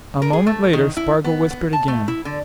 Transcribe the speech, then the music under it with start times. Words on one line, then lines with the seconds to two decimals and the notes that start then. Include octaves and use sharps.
A moment later Spargo whispered again.
0.22 A#4
0.33 G#4
0.47 A3
0.73 D#3
0.97 E4
1.24 B3
1.51 B3
1.73 A5
1.88 A3
2.08 E4
2.25 D3